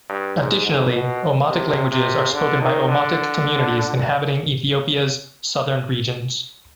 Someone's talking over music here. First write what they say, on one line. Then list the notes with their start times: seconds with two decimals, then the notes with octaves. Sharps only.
Additionally, Omotic languages are spoken by Omotic communities inhabiting Ethiopia's southern regions.
0.09 G2
0.37 G#2
0.66 G#2
0.94 B2
1.50 C3
1.92 C3
2.34 D3
2.61 D#3
2.90 D3